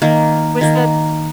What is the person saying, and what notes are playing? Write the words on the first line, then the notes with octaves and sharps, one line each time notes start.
Was that
D#3 A#3
D#3 A#3